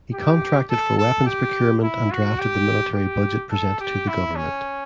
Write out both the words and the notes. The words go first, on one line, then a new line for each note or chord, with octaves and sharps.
He contracted for weapons procurement and drafted the military budget presented to the government.
G4
A4
A4
G4
E4
F#4
G4
G4
A4
G4
E4
C#4